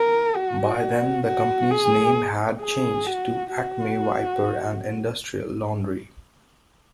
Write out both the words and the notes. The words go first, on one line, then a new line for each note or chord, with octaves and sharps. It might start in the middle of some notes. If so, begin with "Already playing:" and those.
By then, the company's name had changed to Acme Wiper and Industrial Laundry.
Already playing: A#4
F#4
F#4
G#4
G#4
F#4
F#4